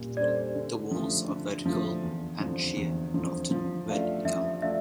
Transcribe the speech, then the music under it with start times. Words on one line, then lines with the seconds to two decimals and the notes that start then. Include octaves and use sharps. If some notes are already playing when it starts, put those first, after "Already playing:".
The walls are vertical and sheer, and often red in color.
Already playing: A#2 G3
0.17 G3 D4 A4 C5 D5
0.55 D3
0.91 F3 A3
1.28 D3
1.66 F3 A3
2.03 E2
2.40 D3 F3 C4
2.77 E2
3.14 D3 F3 C4
3.51 F3
3.89 A3 D4 F4
4.25 F3 E5
4.62 A3 D4 F4 E5